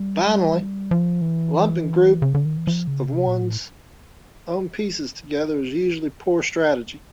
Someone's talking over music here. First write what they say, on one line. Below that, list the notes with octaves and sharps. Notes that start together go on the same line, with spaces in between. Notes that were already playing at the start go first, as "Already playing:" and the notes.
Finally, lumping groups of one's own pieces together is usually poor strategy.
Already playing: G3
F3
E3
C#3
D3
D#3
E3
F3
C#3
C3
A#2
A2